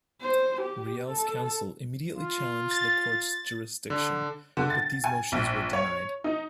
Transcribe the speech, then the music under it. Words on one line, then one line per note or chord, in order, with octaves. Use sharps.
Riel's counsel immediately challenged the court's jurisdiction, but these motions were denied.
C5
G4
A4
F4
A6
D3
D3
A6
G#5
A#1
C#5
D#4